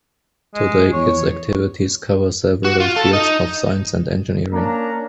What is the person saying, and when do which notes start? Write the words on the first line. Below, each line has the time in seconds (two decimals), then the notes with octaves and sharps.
Today, its activities cover several fields of science and engineering.
0.55 G#3
0.93 E2 C#5
2.65 F#4
2.80 F4
2.96 A4
3.13 D#4
4.53 A#3 C#4 D4 A#5